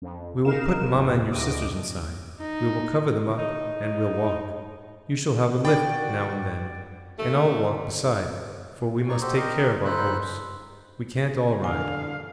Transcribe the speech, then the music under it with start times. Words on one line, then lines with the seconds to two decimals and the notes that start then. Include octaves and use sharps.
'We will put mamma and your sisters inside, we will cover them up and we'll walk, you shall have a lift now and then, and I'll walk beside, for we must take care of our horse, we can't all ride.
0.02 F2
0.45 D#4 A#4 F5 E7
0.94 D#2 G#2 C3
1.30 D2 A2 D#5 D6
2.39 D#4
3.39 D#4
5.65 D4 F#4 D5 G5 B5
7.18 D#2 A3
9.09 D#4 C#5 D5 C#6
9.21 F#4 G4 A4 C5
9.37 G4 A#4 D#5
9.85 D#4 F4 A4 C5 B5 F#6
11.64 D3 F5 G#5